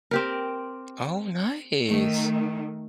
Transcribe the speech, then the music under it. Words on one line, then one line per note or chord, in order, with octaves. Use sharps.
Oh, nice.
C4 G4 A#4
D#3 A3